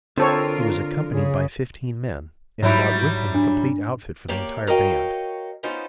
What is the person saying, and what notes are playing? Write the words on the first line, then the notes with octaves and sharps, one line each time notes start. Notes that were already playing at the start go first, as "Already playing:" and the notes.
He was accompanied by fifteen men, and brought with him a complete outfit for the entire band.
D3 C4 F4 A4 A#4 C#5
C#3 G#4
G#2 F#3 G3 E4
D4
A#3 G4 C#5 D5
F#4 A#4 C#5 D#5 F5 G5
B3 C#4 D#4 F4 C5